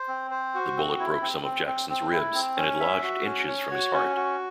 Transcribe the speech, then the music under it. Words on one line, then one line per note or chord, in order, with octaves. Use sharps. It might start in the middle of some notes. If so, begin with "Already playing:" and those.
The bullet broke some of Jackson's ribs, and had lodged inches from his heart.
Already playing: C5
C4
C5
F#4
C4
E4
C4
C4
C4
C4
E4
C4
C#4
E5
F#4
C#4
C#5
F#4
C#4
F#4